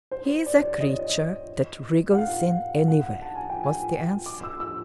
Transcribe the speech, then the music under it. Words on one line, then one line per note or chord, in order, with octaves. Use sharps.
"He's a creature that wriggles in anywhere!" was the answer.
C5
D5
C#5
D5
D#5
F#5
F5
F#5
A5
G#5
G5
G#5
D6
E6
E6